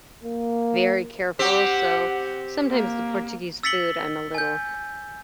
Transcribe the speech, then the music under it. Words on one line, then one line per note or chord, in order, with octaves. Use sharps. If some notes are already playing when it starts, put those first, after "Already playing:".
very careful. So sometimes the Portuguese food, I'm a little
A#3
C4 G4 F#5
A#3
E6 A6 B6 C#7 F#7 G7
G#5 G6